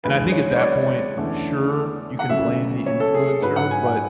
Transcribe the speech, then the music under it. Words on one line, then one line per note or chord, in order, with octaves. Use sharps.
And I think at that point, sure, you can blame the influencer, but,
E2 D3 G#3 B3 B4
C#5
C#5
D5
E2 D3 A3 C#4
F#5
D2 C#3 F#3 E5
C#5
A4
G#4
G#2 F#3 C#4 B4
F#5
G#5
F#5